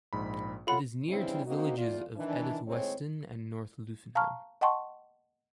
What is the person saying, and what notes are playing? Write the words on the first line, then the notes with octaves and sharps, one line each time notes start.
It is near to the villages of Edith Weston and North Luffenham.
A#1 G#2 B5
F4 A4 C#5 F#5 B5 C#7
C#3 E3 G3 C4 D4 E4
A#3 C4 D#4 F#4
E2 F4 D5
D#3 E3 D4
D#2 A2 G#3 C4 C#5
F5 A5 A#5 C#6 F6
D#5 F#5 G5 A5 C6 C#6